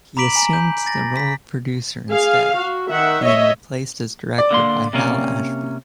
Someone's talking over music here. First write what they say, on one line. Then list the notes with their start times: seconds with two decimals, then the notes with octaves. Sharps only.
He assumed the role of producer instead, being replaced as director by Hal Ashby.
0.17 A#5 B5 D6 B6 D7 F#7
0.36 G#5 A#5
0.53 G6
0.86 A6 A#6
1.17 B6
2.11 G#4 F5
2.56 F#4
2.90 D#3 E5 F#5
3.24 C#5 D#5 E5
4.38 D5
4.51 D3 A#3 C6
4.93 C3 A#3 C#4